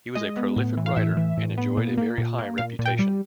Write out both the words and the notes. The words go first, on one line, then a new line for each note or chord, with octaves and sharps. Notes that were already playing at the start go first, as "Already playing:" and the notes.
He was a prolific writer and enjoyed a very high reputation.
G#3 D#5
B3
A2
E3
F5
A2 E5
E3
A2
B3
A#2
A#3
A#2
A#3
A#2 F5
A#2
G5
G3